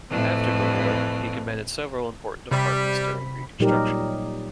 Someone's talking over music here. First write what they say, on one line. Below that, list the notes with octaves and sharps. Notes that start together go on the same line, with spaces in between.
After the war, he commanded several important departments during Reconstruction.
F2 A2 E3 A3
C3 G3 B5 B6
A#2 F#3 G3 D#4 G4 A#4